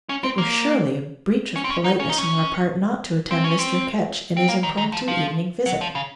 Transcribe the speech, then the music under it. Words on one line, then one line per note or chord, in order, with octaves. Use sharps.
It were surely a breach of politeness on our part not to attend Mr. Ketch in his impromptu evening visit!
C#4
C4
A#3
C#4
C4
C#4
D#4
C#4
D#4
C#4
C4
C#4
C4
C4
A#3
D#3
D#3
F3
F3
F#3
F3
C#3